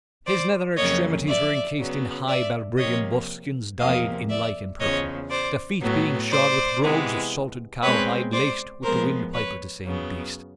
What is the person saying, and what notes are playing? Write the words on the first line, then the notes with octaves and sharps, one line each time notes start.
His nether extremities were encased in high Balbriggan buskins dyed in lichen purple, the feet being shod with brogues of salted cowhide laced with the windpipe of the same beast.
C5 D5
F2 C#3 F#3 A#3 C#5 D#5
D5 E5
C#3 F#3 B3
D5 E5
C3 F3 A#3 C#5 D#5
E2 C3 F3 A#3 D#5 F5
D5 E5
E2 C#3 F3 C#5 D#5
C5 D5
A2 F#3 B3
C5 D5
C3 E3 G#3 B3
B2 G#3 C4 B4 C#5
C5 D5
A2 F3 G#3 B3 A#4 C5
B4 C#5
F#2 C#3 F#3 B3